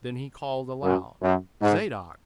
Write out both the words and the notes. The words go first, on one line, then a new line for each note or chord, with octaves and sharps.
Then he called aloud, Zadok!
F#2
F#2
G#2